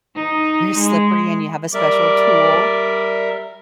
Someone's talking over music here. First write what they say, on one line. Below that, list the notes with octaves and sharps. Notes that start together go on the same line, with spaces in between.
they're slippery and you have a special tool.
D#4
G#3
G3 A#4 D5 E5